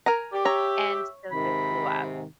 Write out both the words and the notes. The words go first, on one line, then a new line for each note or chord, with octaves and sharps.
And so this blew up.
A#4 G#5 A#5
G4 D5
C#5 E5 A#5
G#2 C3 D#3 B5